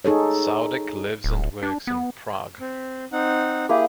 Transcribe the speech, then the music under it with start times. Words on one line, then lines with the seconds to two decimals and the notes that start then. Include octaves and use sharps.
Saudek lives and works in Prague.
0.05 D#4 G#4 A4 C#5
1.24 D1
1.63 D4
1.87 B3
2.61 C4
3.12 C4 D#4 F#5
3.69 A#3 E4 G4 G#4